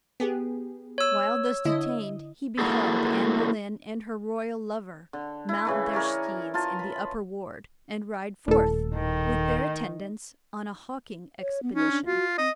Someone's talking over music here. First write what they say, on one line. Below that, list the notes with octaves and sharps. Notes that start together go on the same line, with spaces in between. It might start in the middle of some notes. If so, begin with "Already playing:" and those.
While thus detained, he beheld Anne Boleyn and her royal lover mount their steeds in the upper ward, and ride forth, with their attendants, on a hawking expedition.
B3 G4 G#4
C#5 E6
D3 E4 D#5
A#3 E4 F#4 G#4 A4
D3
E4
C#3 E3 A3
G#4 A#4 C#5 D5
F4 A#4 D#5 A5
B5
D#1 A2 A4
D#3
C#5
B3
C#4 D#4
D4
F4 F#4
C4 D#5